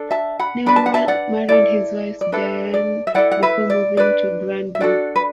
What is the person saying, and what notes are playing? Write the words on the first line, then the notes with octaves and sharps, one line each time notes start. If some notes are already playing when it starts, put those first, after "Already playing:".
Neumann married his wife Diane before moving to Granby.
Already playing: D4 A4
E5 A5
F#5 B5
D4 B4 B5
A5
F#5
E5 A5
D5 F#5
E4 A4 D5
D5
D4 A4 B4 E5
D5
E5
E4 A4 D5 F#5
F#5
B4 E5
D5
D4 B4 D5
E5
D4 F#4 A4 D5 F#5
B4